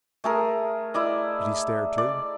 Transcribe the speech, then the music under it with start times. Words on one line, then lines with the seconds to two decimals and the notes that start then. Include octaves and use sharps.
"Did he stare too?"
0.24 A3 G#4 A#4
0.94 E4 D5 D#5
1.98 D5